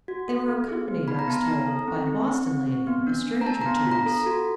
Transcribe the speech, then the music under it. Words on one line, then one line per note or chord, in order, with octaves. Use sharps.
They were accompanied, I was told, by a Boston lady, a stranger to us.
F#4
A4
B3
G#4
B3
D#4 B5
A#5
B3 A5
A#5
D#4
A4
C4
C4
C4
C4
C4
B3
D4
D4
A#5
D4 A5
A#5
B3
A#5
F4 A#5
A4
F#4